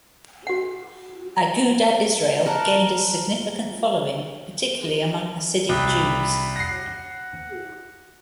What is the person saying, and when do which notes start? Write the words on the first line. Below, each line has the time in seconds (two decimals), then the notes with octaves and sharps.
Agudath Israel gained a significant following, particularly among Hasidic Jews.
0.47 F#4 F#5
2.46 A#4 F#5 A5
5.69 C2 B5
6.56 F#5 A#6 C7